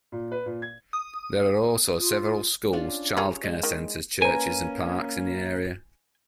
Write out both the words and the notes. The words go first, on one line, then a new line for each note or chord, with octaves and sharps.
There are also several schools, child care centres, churches and parks in the area.
A#2
B4
A#2
G#6
D#6
F4
C#4 D4 F4
G3 G#4 A#4 C#5
G#3
D#3
A#3 C#4 B4 G#5 A#5